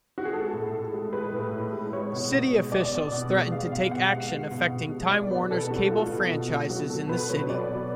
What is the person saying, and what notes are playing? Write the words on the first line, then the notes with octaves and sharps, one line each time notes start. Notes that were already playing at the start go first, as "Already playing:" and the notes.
City officials threatened to take action affecting Time Warner's cable franchises in the city.
F#4
G#4
G#3 A4
A2
A2
G#3
G#3 B4
A2
A2
G#3
G#3 C#5
B2
B2
G#3
G#3 D5
B2
B2
G#3
G#3 F5
B2 F5
B2 F#5
G#3 F5
G#3
B2
B2
G#3
G#3 D5
B2 B4
B2 A4
G#3 F#4
G#3 F4
B2
B2
G#3
F#3 F#4
B2 A4
B2 B4
F#3 C#5
F#3 D5
B2